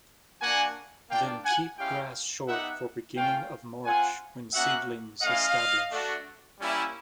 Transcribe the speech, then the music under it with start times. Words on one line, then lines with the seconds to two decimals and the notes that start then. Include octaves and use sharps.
Then, keep grass short for beginning of March when seedlings establish.
0.42 A#3 D4 F#4 F#5 G#5
1.10 A#3 D4 F4 F5 G5
1.44 F#5 G#5
1.78 G#3 C#4 E4 G4 F5 G5
2.47 B3 D#4 G4 E5 F#5
3.16 A3 C#4 F4 F5 G5
3.85 C4 F4 F#5 G#5
4.53 A#3 C#4 F#4 E5 F#5
5.22 A3 C#4 E4 D#5 F5
5.91 A3 D4 F#4
6.60 G3 A#3 C#4 E4